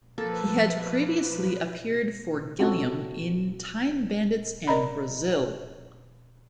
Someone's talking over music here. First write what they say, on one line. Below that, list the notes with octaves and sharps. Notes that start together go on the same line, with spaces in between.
He had previously appeared for Gilliam in "Time Bandits" and "Brazil".
F3 A#3 A4 B4 A6
C4 C#4 F4 F#4 A4
A#4 D5 D#5 A#5 B5